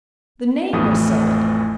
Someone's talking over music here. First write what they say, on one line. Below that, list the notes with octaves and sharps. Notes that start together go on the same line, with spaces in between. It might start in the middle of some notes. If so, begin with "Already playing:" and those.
The name will sell it!
A1 F2 E3 A3 D#6